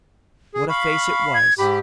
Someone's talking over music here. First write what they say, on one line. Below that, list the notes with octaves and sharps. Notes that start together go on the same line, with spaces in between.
What a face it was!
G#4
F5 B5 C#6
G#6
G#2 G4 B5